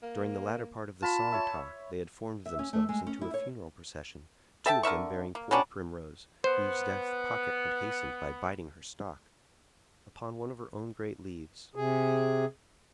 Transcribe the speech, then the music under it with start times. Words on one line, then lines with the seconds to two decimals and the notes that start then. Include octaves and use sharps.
During the latter part of the song-talk, they had formed themselves into a funeral procession, two of them bearing poor Primrose, whose death Pocket had hastened by biting her stalk, upon one of her own great leaves.
0.02 A#3
1.02 F4 A5 B5
1.32 C#5 E5
2.46 E5
2.59 C#4
2.73 A3
2.89 G#3
3.07 C#4
3.21 E4
3.34 C#5
4.66 A4 E5 G5 A5
4.83 D3 A#4 E5 C#6
5.35 A#3
5.51 F#3 G3 C#4 D4
6.44 B3 C5
11.75 C3 G#4